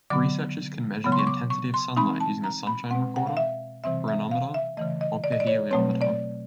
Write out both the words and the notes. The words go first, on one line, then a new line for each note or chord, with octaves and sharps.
Researchers can measure the intensity of sunlight using a sunshine recorder, pyranometer, or pyrheliometer.
D3 F#3 B3 D6
C#3 F#3 B3
C6
C#6
D6
C#6
C6
E3 G#3 C4 D#4 B5
A5
A#5
B5
B2 G#3 C4 F#5
F#5
F5
E5
C3 E3 G3 C4 E5
E5
F5
E5
C#3 E3 A3 D#5
D#5
D5
D#5
D5
C#5
B2 F#3 A3 C4 C#5
D5